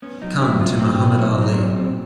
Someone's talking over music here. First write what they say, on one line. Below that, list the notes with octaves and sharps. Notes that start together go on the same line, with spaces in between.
Come to Muhammad Ali.
B3 C#4
F#3 D#4
F#3 E4
B3 F4
C#4
A2 C4
B3
F#3 B3
F#3 D#4
D4
A#2
C#4
A#2 C4